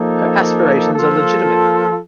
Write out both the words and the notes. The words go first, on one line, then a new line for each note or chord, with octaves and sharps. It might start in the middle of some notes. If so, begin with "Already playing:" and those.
Her aspirations are legitimate.
Already playing: F3 A#3 D#4 A4
F3 A#3 F4 A4